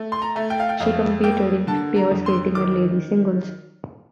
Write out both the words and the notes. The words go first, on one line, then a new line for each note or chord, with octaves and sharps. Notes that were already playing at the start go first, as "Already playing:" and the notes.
She competed in pair skating and ladies singles.
Already playing: A3
C6
A#5
A3
G5
F5
G5
F2 F5
A#3 G5
D3 A5
A#5
F2
C6
D#3 D6